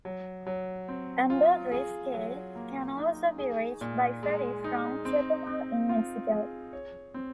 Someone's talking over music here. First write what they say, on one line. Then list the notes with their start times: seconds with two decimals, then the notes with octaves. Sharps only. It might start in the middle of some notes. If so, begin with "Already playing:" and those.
Ambergris Caye can also be reached by ferry from Chetumal in Mexico.
0.05 F#3
0.47 F#3
0.88 C4
1.30 F4
1.72 G#4
2.14 F#3
2.55 A#3
2.97 D#4
3.38 G#4
3.81 A#2
4.23 G#3
4.64 D#4
5.05 C4
5.47 C4
5.89 F4
6.31 G#4
6.73 C#5
7.14 C4